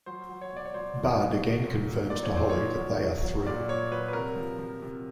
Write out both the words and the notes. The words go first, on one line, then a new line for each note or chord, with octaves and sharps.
Bud again confirms to Holly that they are through.
F#3 C5
F#3
C#5
B2 D5
C#5
F#3 C5
B2
B2
F3
A#2
A#2
A#2 D5
C#5
A#2 C5
C#5
F3
F#3
F#3
F#3
A#2 D5
A#2 C#5
F#3 B4
B4
C3 A#4
F3
F3
C3